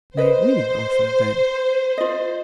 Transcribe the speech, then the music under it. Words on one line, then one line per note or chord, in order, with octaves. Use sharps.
"May we offer, then?"
B4 C5 D#5
F4 D#5